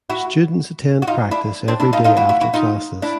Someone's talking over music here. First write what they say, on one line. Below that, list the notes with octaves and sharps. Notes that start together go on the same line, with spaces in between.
Students attend practice every day after classes.
E4 F#4
F#4
D#4 F4
D4 E4
C4 D4
D4 E4
D#4 F4
D#4 F4
E4 F#4
E4 F#4
E4 F#4
D#4 F4
D4 E4